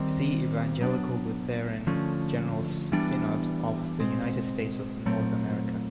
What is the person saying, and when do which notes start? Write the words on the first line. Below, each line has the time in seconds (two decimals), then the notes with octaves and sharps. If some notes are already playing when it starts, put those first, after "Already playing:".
See Evangelical Lutheran General Synod of the United States of North America.
Already playing: D#3 G3 C4
0.80 B2 F#3 B3 D4
1.87 D3 F3 A3 C#4
2.92 E3 G3 B3 D4
3.99 B2 G#3 C4
5.06 A#2 F#3 A3 C4